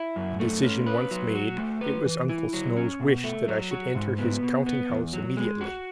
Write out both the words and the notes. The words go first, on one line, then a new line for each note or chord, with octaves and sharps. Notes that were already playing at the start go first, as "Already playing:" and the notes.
The decision once made, it was Uncle Snow's wish that I should enter his counting-house immediately.
Already playing: E4
F#2
A3
C#4
B4
F#3
F#4
A3
B4
E3
E4
F#3
C#4
B2
A3
F#3
F#4
G#2
B3
B2
B3
E2
F#3
G#3
F#4